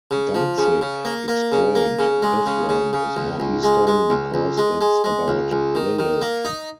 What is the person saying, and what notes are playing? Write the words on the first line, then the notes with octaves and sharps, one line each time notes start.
Danzig explained This one is more Eastern, because it's about Lilith.
C#3
F3
C#3
C#3
A#3
A#3
C#3
A#3
C#3
G#3
C#3
C#3
C#3
C#2
C#2
G#3
G#3
C#2
C#2
G#3
G#3
G#3
C#2
C#2
D#3
D#3
A#3
D#4